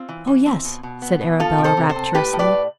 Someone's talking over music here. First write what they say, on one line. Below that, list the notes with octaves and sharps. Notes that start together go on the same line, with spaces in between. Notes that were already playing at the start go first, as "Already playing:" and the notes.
"Oh yes," said Arabella, rapturously.
Already playing: C4 F4
E3
E3
C4
B2
B2
B3
B2
F3 F4 A4
C3
A4 C5
C3
A4 C5
C3
A2 G4 B4
A2
B4 D5
A2